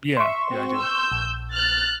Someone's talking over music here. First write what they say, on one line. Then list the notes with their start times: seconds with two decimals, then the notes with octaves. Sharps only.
Yeah, yeah, I do.
0.17 E5 C6 C#6
0.50 C4 F#4
0.78 E6 G6
1.12 A#1
1.52 F6 F#6 A6